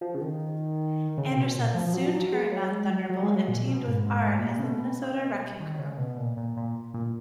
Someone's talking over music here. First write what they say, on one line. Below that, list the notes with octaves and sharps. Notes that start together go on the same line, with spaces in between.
Anderson soon turned on Thunderbolt and teamed with Arn as the Minnesota Wrecking Crew.
F3
C#3
D#3
C#3
C#3
B2
A#2
F3
F3
F#3
F3
F#3
G#3
F#3
G#3
F#3
F#3
G#3
F#3
A#2
B2
G#2
G#2
G#2
A#2
A#2
C#3
B2
C#3
B2
D#3
C#3
B2
A#2
A#2
A#2
A#2